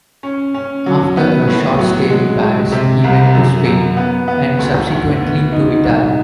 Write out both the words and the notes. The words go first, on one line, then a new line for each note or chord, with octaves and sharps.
After a short stay in Paris he went to Spain, and subsequently to Italy.
C#4
C#4
F#3
B3
A2
F#3
G#3
G#3
C3
C2
F#2
F#2
B3
B3
D2
D2
B3
D#4
C2